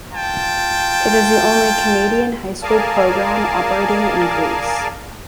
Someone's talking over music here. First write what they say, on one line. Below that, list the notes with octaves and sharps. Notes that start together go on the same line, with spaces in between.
It is the only Canadian high school program operating in Greece.
F4 G5 A5
G#4 A#4 D5 F5 G#5 A5